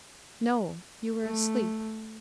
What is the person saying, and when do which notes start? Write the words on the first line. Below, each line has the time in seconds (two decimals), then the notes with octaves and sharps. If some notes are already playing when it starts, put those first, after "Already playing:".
"No, you were asleep."
1.23 A3